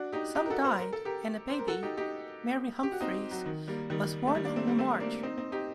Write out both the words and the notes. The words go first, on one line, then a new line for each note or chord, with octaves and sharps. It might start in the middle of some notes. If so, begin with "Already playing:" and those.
Some died and a baby, Mary Humphries, was born on the march.
Already playing: D4 F#4
D#4 G4
D#4 G4
A#4
F#4 A4
C5
A#4
A4
G4 A#4
C5
A#4
F#4 A4
D#4 G4
D#4 G4
G4
F#4
C4 D#4
F#3
D#3
G3 A#3
D#3 G3
A3
D#3 G3
A#3 D4
A3 C4
G3 A#3
A3 C4
A#3 D4
C4 D#4
C4 D#4
D#4 G4